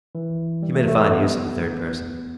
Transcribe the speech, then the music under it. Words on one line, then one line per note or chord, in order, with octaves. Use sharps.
He made a fine use of the third person.
E3
G3
A3
A3
A3
B3